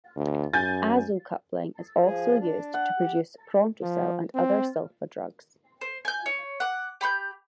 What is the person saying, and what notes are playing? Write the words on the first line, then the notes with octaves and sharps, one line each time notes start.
Azo coupling is also used to produce prontosil and other sulfa drugs.
D2
F#2 G#5 G6 A6
F3 G#4
D4
F#5
G4
F3
C4
C5
G#5 G6
C#5
F#5 D6
G4 B5 C6 G6